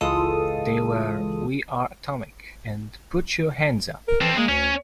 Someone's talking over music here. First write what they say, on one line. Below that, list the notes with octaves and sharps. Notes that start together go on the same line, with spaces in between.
They were "We R Atomic", and "Put Ya Hands Up".
C#2 E3 G#3 F4 A4 D#6
A#4
E3 C4 A4
G#3 A#3
D2 C#4